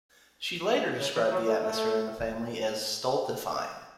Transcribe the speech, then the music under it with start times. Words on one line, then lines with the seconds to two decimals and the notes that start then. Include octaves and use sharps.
She later described the atmosphere in the family as "stultifying".
0.99 C#3
1.15 E3
1.31 F#3
1.47 A3
1.63 A3